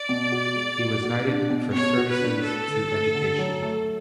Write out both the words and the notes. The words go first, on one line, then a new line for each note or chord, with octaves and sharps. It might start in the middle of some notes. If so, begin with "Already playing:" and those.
He was knighted for services to education.
Already playing: D5
B2
F#4
G#3
F#4
F#4
D4
B2
B2 C#5
F#4
B4
D4
A3 A4
D3
A3
D3
F#3
A3